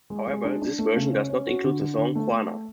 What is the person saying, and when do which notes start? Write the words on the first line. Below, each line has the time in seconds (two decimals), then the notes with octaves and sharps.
However, this version does not include the song "Juana".
0.10 G#3
0.27 G#3
0.45 D4
0.62 D4
0.79 A3
0.96 C#3
1.13 C#4
1.30 C#4
1.47 F#4
1.64 D3
1.81 D3
1.98 D3
2.15 A3
2.32 A3